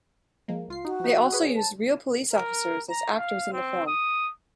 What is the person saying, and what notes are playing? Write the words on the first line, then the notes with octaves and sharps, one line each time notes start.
They also used real police officers as actors in the film.
F3 G#3 A#3
C#2 F4 C7
D#4 F#4
F3 D#4
G#4 B4 C#5
A5
A#4
A#5
F5
C4
D#6